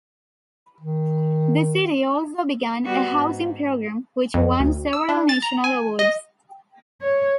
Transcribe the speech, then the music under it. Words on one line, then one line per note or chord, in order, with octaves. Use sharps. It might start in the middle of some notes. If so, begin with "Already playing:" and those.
The city also began a housing program which won several national awards.
D#3
G3 B3 F#4
G#2
F2
D2
E6
D4
A6
A#5
G#5
D#5
C#5